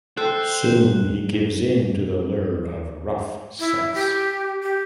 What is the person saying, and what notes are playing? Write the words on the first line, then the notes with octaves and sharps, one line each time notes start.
Soon he gives into the lure of rough sex.
A4 C5 E5 G5 F#6
E4
G4
G4